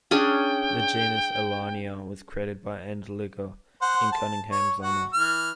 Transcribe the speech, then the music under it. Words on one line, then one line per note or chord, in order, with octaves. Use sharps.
The genus "Alania" was created by Endlicher in Cunningham's honour.
C#4 D4 G#4 G5
C5 F#5
A5
C#5
F#4 F#5
E3 F6